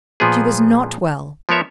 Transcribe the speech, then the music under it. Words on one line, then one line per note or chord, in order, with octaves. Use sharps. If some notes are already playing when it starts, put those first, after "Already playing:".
She was not well.
A#2 F3 B3 G#4
F3 B3 A#4 C#5 E5